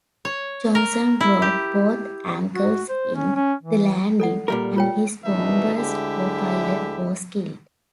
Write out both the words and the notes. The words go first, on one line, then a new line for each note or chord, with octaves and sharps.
Johnson broke both ankles in the landing, and his bomber's co-pilot was killed.
C#5
A#4
E4
G4
F#4
C5
C#4
C#4
E3
A4 D5 F#5
A#2 G3 A#4
F4 C#5 G5
G#1 B2 E3 D4 D#4 E5
D2 D3 G#3 E4 G4 E5